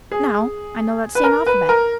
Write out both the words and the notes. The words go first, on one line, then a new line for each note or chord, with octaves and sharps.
Now, I know that same alphabet.
G#4
B4
A#4
B4
A#4